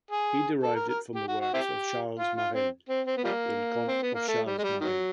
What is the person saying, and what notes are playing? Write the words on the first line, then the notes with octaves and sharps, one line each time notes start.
He derived it from the works of Charles Marelles, in "Contes of Charles Marelles".
G#4
A4
A#4
A#4
G4
F#4
F#4
C4 E4 G4
F4
F4
C4
C4
C4
B3
F3 G3 A#3
C4
B3
A#3
A3
G3
G#3
G3
D#3 F#3